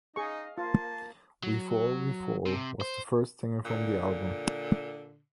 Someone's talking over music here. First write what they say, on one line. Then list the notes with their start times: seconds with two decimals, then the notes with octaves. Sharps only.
"We Fall, We Fall" was the first single from the album.
0.16 D#4 G#4 D#5 F5 C#6
0.58 A#3 F4 A5
1.43 F#3
2.46 C3
2.81 C5
3.65 A#2 D3